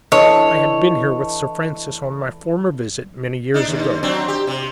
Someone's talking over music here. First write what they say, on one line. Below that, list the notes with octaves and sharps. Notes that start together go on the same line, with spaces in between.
I had been here with Sir Francis on my former visit, many years ago.
E3 D4 A4 C#5 D#5
D4 D#4
D#2
F#3 C4 D4
G4
C3